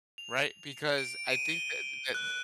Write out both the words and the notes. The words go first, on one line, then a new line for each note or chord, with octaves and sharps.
Right? Because I think that that
F7
D7
D#7
G7
F#6